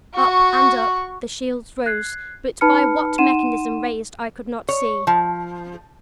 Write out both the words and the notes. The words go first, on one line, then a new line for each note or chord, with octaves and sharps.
Up and up the shields rose, but by what mechanism raised I could not see.
F#4 C#6
F#6 G#6 C7
D#4 B4 A5 B5 F6 C#7
D#4 F#5 C6 D#7 E7
C#5
F3